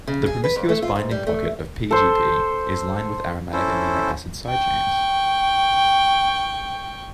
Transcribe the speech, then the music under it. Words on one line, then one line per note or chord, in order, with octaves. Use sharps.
The promiscuous binding pocket of P-gp is lined with aromatic amino acid side chains.
C#3
G#4
B4
F2
A3
F4
G#2
G3
A3
A4 C5
C#4 E4 A4 C5
G5 C#6